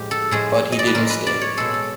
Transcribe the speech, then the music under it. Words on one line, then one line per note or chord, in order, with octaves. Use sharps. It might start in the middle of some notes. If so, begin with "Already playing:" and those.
But he didn’t stay.
Already playing: A2 F3 G#3 G4
A4
A2 F3 G#3 G#4
D#5
D5
B4
A2 F3 G#3 A#4
B4
D5
C#5
B2 G#3 A4
A4